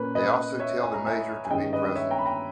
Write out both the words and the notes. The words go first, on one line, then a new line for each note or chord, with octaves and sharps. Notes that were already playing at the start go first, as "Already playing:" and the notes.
They also tell the major to be present.
Already playing: A#2 A#3 C#4 B4
B4 D#5
C#5 E5
G#5
A#5
E5 G#5
G#5
G2 D#3 G#3 C#4 D#5 G5
B4 D#5
D#5
C#5 E5
G5 A#5
B5
G5 A#5